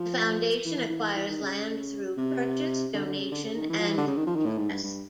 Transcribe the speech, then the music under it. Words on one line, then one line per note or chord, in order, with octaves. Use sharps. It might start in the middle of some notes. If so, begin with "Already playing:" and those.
The Foundation acquires land through purchase, donation and bequest.
Already playing: F3
E3
E3
E3
E3
E3
D#3
C#3
C3
D3
D3
C#3
D3
C#3
D#3
E3
F3
E3
D3
C#3
D#3
F3
D#3
A2
G#2
G2
G2